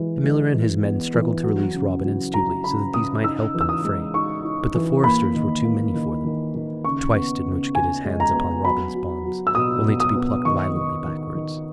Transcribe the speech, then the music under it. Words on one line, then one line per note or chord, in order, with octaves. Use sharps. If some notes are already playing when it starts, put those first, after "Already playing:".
The miller and his men struggled to release Robin and Stuteley so that these might help in the fray; but the foresters were too many for them. Twice did Much get his hands upon Robin's bonds, only to be plucked violently backward.
Already playing: E3 G#3
G#3
E3
B3
E3
F#3
C#3
F#3
F#3 A#5
C#3 B5
C#3 D#6
D#4 E6
E3
E6
D#6
G#3
D#4 C#6
D#4
E3
A#3 B5
D#3
A#3
D#3
D#3
D#3
C#3 C#6
B3
C#3
C#3 G#5
G#3
A#5
B3
F#3 B5
F#3
F#3
E6
B2 D#6
B2
D#6
B3
D#3 C#6
D#3
D#3
D#3